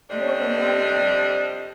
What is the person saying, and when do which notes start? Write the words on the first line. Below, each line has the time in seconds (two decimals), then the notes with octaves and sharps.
"More than likely."
0.10 F2 C3 G3 D4 C5 D#5